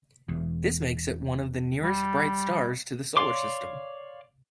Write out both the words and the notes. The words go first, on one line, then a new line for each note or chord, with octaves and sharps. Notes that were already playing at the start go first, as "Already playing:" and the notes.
This makes it one of the nearest bright stars to the Solar System.
E1 E2
G3
C#5 D5 F5 C6 D6